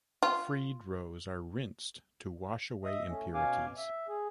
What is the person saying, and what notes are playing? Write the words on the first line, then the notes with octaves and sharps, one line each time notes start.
Freed roes are rinsed to wash away impurities.
F4
D#5 E5 D#6
A3 C#4
B2 C#4 F5 G#5 D6
E5
G#4